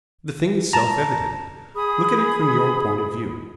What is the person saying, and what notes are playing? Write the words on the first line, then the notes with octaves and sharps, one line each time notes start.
The thing is self-evident. Look at it from your point of view.
A5 A#5
G#4 B5 D#6